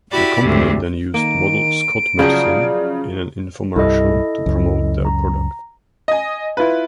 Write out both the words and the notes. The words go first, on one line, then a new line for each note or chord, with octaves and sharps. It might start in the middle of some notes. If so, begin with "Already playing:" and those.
The company then used model Scott Madsen in an infomercial to promote their product.
E4 F#4 G4 D5 B5
D2 G#2 C3
D#3 A#3 D7
C#3 F3 F#3 G#4 D5
C2 G2 G3 E4 A4 D#5
C#2 F#2
A#5
D#5 G#5
E4 F4 B4